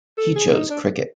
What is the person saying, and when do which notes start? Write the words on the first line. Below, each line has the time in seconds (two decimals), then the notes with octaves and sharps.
He chose cricket.
0.18 A4
0.36 G#4
0.52 D#4
0.70 D4